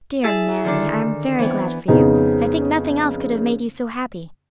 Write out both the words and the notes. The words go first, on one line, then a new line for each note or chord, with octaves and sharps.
"Dear mammy, I am very glad for you; I think nothing else could have made you so happy."
E4 G#4 E5 A5
D3 D#3 D4
E3 B3 C4
F2 C#3 B3 D#4